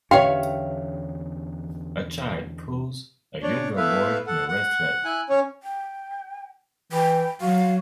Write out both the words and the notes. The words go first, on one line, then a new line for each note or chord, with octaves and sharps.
A child pulls a younger boy in a red sled.
E2 D3 C#4 G4 C#5 E5 F5 G5
D4 C#5 D5
A3 B3 E4 B4 E5 F5
A4 F#5
F#5
E4 G#5 F#6
C#4 C#5
G5
E3 G5
F#3 F#4 F5